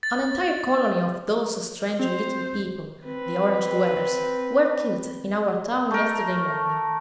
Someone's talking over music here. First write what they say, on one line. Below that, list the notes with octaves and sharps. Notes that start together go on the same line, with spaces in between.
An entire colony of those strange little people, the Orange-dwellers, were killed in our town yesterday morning.
A6
C4 C5 F7
C4 B4
A3 A#4